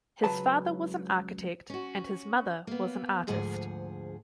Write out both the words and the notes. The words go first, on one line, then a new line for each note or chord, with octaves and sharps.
His father was an architect and his mother was an artist.
C#2 F#3 B4 A5
C#4 F#4
A#3 B3
D2 G#2 F3 G#4 F#5